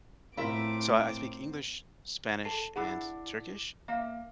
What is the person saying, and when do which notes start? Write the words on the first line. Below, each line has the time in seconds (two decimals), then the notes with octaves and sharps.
So I I speak English, Spanish, and Turkish,
0.37 A2 C4 E4 F4 A#4 E5 A#5 D6
2.45 A4 A5 C7
2.76 D4 E4 G#4 F#5 B5 E6
3.88 A#3 E5 F5